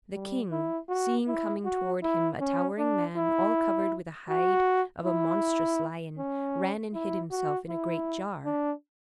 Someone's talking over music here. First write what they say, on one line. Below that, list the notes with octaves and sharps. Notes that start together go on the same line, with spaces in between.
The king, seeing coming toward him a towering man all covered with the hide of a monstrous lion, ran and hid himself in a great jar.
G3
E4
F#4
E4
F#4
E4
C#4
D4
E4
F#4
E4
C#4
E4
F#4
E4
D4